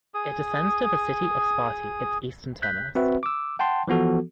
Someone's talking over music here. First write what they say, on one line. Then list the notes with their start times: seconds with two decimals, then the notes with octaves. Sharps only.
It descends to the city of Sparti, its eastern terminus.
0.14 G#4 D#6
2.62 F#6 G6 B6
2.95 C4 F#4 B4 E5
3.23 D6 E6
3.59 F#5 G5 A5 C6
3.88 E3 F3 B3 F#4 A4